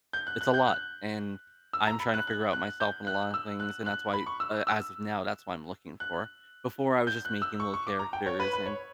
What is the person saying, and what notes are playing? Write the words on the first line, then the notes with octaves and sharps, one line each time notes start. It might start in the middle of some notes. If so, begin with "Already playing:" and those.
it's a lot, and I'm trying to figure out myself in a lotta things, and that's why uh, as of now, that's what I'm looking for. Before, I was just making little characters, and
G6
F#6
F#6
G6
F#6
E6
A#5
B5
F#6
F#6
F#6
G6
F#6
E6
F#6
F#6
B5
C#6
E6
E6
F#6
G6
F#6
E6
C#6
C#6
D6
A#5
G5
C#5
B4
B4
C#5